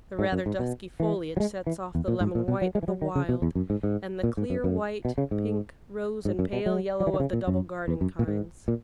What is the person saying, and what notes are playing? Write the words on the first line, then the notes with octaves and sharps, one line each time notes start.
The rather dusky foliage sets off the lemon-white of the wild, and the clear white, pink, rose, and pale yellow of the double garden kinds.
G#2
F#2
G#2
B2
E3
F#3
G#3
E3
E2
A#2
G#2
A#2
B2
F#3
G#3
E3
F#3
D#3
C#3
B2
E2
F#2
G#2
G#2
A#2
G#2
F#2
F#2
B2
C#3
G#2
G#2
F#2
B2
F#3
F#3
E3
D#3
C#3
A#2
F#2
E2
F#2
A#2
G#2
A#2